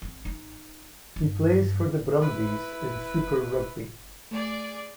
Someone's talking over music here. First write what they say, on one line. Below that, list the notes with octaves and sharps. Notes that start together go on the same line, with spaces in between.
He plays for the Brumbies in Super Rugby.
C4
D#4
G2
E4 B4
A3 G#4 D5